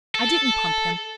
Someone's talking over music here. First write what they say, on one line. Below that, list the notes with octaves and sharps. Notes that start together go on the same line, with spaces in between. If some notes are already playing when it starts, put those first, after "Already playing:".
I didn't pump him.
A4